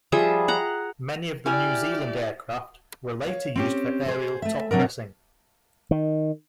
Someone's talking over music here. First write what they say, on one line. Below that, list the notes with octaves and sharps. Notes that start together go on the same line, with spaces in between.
Many of the New Zealand aircraft were later used for aerial topdressing.
F3 G3 G#4 E5
F#5 A#5
E4 G4 D5 G#5 F6
C#5 F5
C4 C#4 G4
G#4 C5
A3 E5
C3 F#3 D4 A#4
D#3